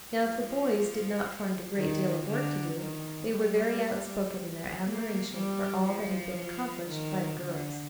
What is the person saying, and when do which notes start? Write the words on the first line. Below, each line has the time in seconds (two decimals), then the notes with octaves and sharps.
Now if the boys did not find a great deal of work to do they were very outspoken in their admiration for all that had been accomplished by the girls.
0.21 F3
1.75 D#3
2.26 D3
2.77 D#3
3.29 G3
4.83 A#3
5.34 G3
5.85 F3
6.37 F3
6.87 D#3
7.39 D3